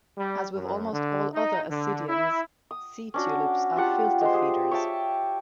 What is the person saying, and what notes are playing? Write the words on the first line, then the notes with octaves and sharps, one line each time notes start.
As with almost all other ascidians, sea tulips are filter feeders.
G3
F#2
D3
D#4
D3
E4
D#6
C#4 D4 F#4
F4 G4 F#5 A5
G#3 C5
G4 G#4
C#5 E5 G5 A5